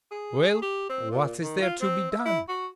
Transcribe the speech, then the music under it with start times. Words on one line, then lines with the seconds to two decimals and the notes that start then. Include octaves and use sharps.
'Well, what is there to be done?
0.11 G#4
0.62 G4
0.90 C4
1.11 A#2
1.42 D#3
1.62 F4
1.81 C4
2.12 E5
2.25 E4
2.49 F#4